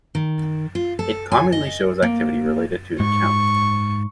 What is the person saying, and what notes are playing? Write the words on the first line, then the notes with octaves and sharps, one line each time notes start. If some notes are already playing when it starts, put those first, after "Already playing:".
It commonly shows activity related to an account.
D#3
F4
A4
G#5
D#5
A#3
G#2 C#6